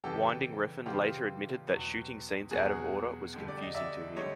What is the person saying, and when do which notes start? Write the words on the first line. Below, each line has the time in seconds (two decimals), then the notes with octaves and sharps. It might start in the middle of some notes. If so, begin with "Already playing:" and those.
Winding Refn later admitted that shooting scenes out of order was confusing to him.
0.04 F2 C#3 E3 G3 G4 A4
0.86 F2 C#3 E3 G3 F4 G4
1.69 E2 B2 F#3
2.51 E2 B2 F#3 F#4 G#4
3.34 F2 D3 G3
3.48 D5
3.62 D#5
3.75 D5 E5
4.16 D3 G3 C#5 D#5